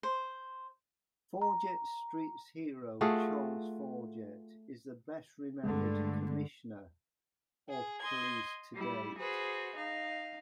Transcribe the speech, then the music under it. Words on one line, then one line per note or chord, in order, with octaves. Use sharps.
Forjett Street's Hero Charles Forjett is the best-remembered commissioner of police to date.
C5
A#5
A3 F4 F#4 G#4
G2 D3 G#3 A3
G#4
D#5 C6 G#6
G3 E4
F#4 G#4 B4 C5
D#4 F5